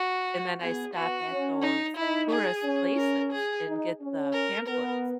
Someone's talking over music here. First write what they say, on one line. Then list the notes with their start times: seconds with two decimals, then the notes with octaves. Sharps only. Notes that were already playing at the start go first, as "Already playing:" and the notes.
and then I stop at those tourist places and get the pamphlets.
Already playing: F#4
0.60 B3 G#4
0.94 B3 F#4
1.28 C#4
1.62 D#4
1.96 D#4 E4
2.31 G#4
2.64 C#4
2.98 A#4
3.32 G#4
3.66 D#4
4.00 C#4
4.33 A#4
4.67 B3 A#4